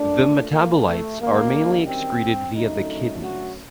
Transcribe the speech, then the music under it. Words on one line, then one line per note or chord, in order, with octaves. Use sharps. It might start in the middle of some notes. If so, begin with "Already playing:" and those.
The metabolites are mainly excreted via the kidneys.
Already playing: A#2 A3 D4
A#3
A3
F#2 D#3 G3 A#3
C4
F#2 D3 F#3 A3 D#4
F#4